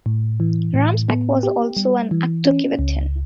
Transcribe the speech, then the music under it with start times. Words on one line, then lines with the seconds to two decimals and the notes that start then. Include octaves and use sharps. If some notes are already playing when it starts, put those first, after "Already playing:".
Ramspeck was also an active Civitan.
0.06 A2
0.40 E3
0.74 A2
1.08 B3
1.43 G4
1.77 G3
2.11 E3
2.45 C#4
2.79 C#2